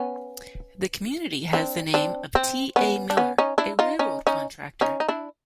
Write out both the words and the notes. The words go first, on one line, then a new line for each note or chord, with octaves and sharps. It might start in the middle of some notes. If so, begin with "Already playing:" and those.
The community has the name of T. A. Miller, a railroad contractor.
Already playing: B3 C#4
C4 D4
C4 D4
C4
B3 C#4
D4
B3 C#4
C#4 D#4
D4 E4
D#4 F4
C#4 D#4
C#4 D#4
C#4 D#4
D#4
D4 E4